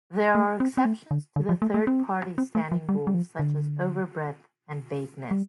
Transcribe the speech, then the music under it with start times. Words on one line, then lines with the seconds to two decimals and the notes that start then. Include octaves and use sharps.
There are exceptions to the Third Party Standing rule, such as overbreadth and vagueness.
0.35 A3
0.60 C4
0.77 C4
0.85 A3
1.11 D3
1.36 D3
1.49 F3
1.62 A3
1.74 A3
1.87 C4
2.38 C4
2.55 A3
2.72 F3
2.89 G3
3.07 G3
3.14 F3
3.39 D3
5.31 G3